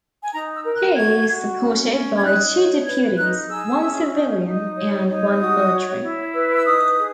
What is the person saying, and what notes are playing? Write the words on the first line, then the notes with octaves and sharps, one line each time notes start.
He is supported by two deputies - one civilian and one military.
G#5
D#4 A#5
E6
A#4
F#6
F#4 G#6
F#4
C#4
C#4
G#6
D#4 F#6
C#5
B4 G#6
D#4 F#6
G#4 E6
C#4
D#4
D#4
C#5
D#4
F#4 D#6
C#5
E4
B4
E6
D#4 D#6
G#4